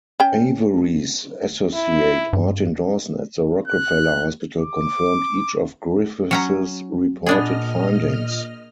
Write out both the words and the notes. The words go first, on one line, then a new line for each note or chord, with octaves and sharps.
Avery's associate Martin Dawson at The Rockefeller Hospital confirmed each of Griffith's reported findings.
C#4 G5
E4
G2
F#6
D6
F#3 C#4 A#5
A#2 B3 D4 G#4 D#5 F6